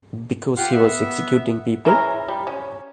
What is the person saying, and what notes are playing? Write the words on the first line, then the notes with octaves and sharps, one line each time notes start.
Because he was executing people?
F4 G4 F#5 C6 F6
B3 E5
E3 G#3 C#4 A#4
G3
C#4